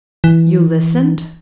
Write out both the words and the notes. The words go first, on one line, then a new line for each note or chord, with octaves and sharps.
"You listened?"
E3